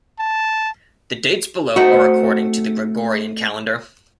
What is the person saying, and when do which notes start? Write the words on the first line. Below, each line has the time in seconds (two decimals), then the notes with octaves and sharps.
The dates below are according to the Gregorian calendar.
0.20 A5
1.76 A3 C4 D#4 F#4